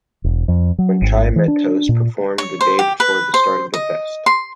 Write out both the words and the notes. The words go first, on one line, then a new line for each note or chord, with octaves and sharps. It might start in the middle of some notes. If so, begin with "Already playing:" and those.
When Chai Met Toast performed the day before the start of the fest.
E1
F2
F#3
G#1
E3
D4
A#2
C#5
C5
G4
B4
C5
D#5
C6